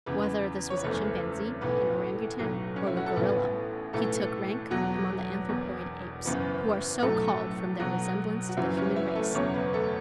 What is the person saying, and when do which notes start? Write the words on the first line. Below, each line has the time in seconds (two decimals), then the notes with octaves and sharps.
Whether this was a chimpanzee, an orangoutang, or a gorilla, he took rank among the anthropoid apes, who are so called from their resemblance to the human race.
0.06 E2 C#3 E3 B3 B4
0.70 C#5
0.77 B4
0.84 F#1 E2 E3 A3 A4
1.61 B1 A2 E3 B3 B4
2.39 B1 A2 F#3
2.76 C#4
2.87 E4
2.97 F#4
3.06 A4
3.16 A1 A2 E3 B3 B4
3.93 B1 A2 E3 A3 A4
4.70 E2 B2 F#3 F#4
5.49 E1 E2 B2
6.25 F#1 F#2 E3 B3 B4
7.02 B1 A2 F#3 A3 A4
7.80 B1 B2 F#3 F#4
8.49 F#4
8.57 F#1 F#2 E3 F#3 E4
8.77 C#4
8.96 E3 E4
9.15 A3 A4
9.35 F#1 E2 B2 F#3 C#4 C#5
9.54 B3 B4
9.73 A3 A4